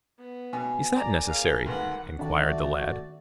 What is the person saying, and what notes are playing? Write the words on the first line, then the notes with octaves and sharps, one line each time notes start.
"Is that necessary?" inquired the lad.
B3
B2 G#5
A#4 D5 A#5
G#4 F5
D2 G2 D#3 B4 F#5
D#3 A3 D4 F#4 D5